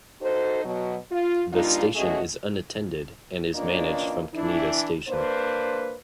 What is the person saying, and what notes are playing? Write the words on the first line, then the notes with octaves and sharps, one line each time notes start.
The station is unattended, and is managed from Kanita Station.
D#4 F#4 A4 C5
B2 F#3
F4
G3 A#3 D4 D#4 F4
B2 A3 C#4 F#4 G#4 D#5
E3 A#3 C#4 D4 F4 D#5
E3 D4 E4
A#3 D4 B4 C5